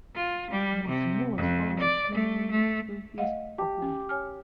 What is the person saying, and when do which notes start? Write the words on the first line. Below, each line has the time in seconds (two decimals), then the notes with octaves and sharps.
Mozilla was founded twenty-five years ago.
0.14 F4
0.50 G3
0.88 C3
1.35 F2
1.79 D5
2.14 A3
2.50 A3
3.18 A3 D#5 F5 F#5
3.58 G4 A5
3.82 C#4
4.09 C#5 G#5 F6